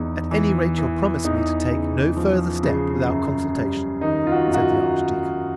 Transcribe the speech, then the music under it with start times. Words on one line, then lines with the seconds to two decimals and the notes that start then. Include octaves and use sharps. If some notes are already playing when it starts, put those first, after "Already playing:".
"At any rate, you'll promise me to take no further step without consultation," said the archdeacon.
Already playing: E2 E3 D#4
0.31 E3
0.78 E3
1.24 E2 D#4
1.70 C#3
2.17 F3
2.63 C#3
3.09 F#2
3.55 G3
4.01 D#3 D#4
4.27 F4
4.32 F#4
4.48 F#2
4.54 F#4